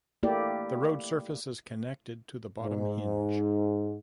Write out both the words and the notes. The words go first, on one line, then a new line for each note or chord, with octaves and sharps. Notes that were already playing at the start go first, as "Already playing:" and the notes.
The road surface is connected to the bottom hinge.
A3 A#3 E4 G4 D5
G#2